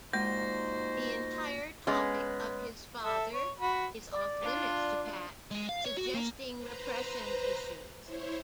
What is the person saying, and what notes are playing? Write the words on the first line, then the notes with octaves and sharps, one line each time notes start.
The entire topic of his father is off limits to Pat, suggesting repression issues.
A#2 G#3 D#4 F#4 C5 A#6
G#3 B3 C#4
A4 E5
C#5
F#4 B5
D5
D4 F4
G#3
F5
C#5
F#4
A#3
B4 C5 A#5
E4 C5 C#5